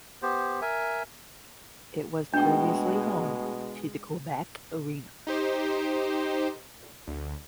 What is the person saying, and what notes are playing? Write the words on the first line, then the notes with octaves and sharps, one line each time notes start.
It was previously home to the Quebec Arena.
B3 G4 C5
A#4 E5 G#5
B2 G#3 A3 D4 G5
D#4 G4 C5
D2